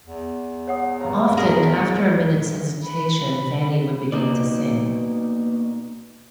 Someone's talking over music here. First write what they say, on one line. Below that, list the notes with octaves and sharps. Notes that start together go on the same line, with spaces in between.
Often, after a minute’s hesitation, Fanny would begin to sing.
E2
C#5 F#5 D#6
G2 C#5 F5 A#5
B1 G#4 A#4 B5 D#6
C#7 D7
B5
B2 A#3 D#4 D5